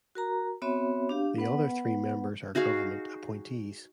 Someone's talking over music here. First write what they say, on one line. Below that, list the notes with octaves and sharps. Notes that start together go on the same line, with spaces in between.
The other three members are government appointees.
F#4 A#4 A#5
B3 C4 F#4 C#5 E5 B5
D4 G4 F5
B3 B4 F#5
D#4 F#4 G#4 F5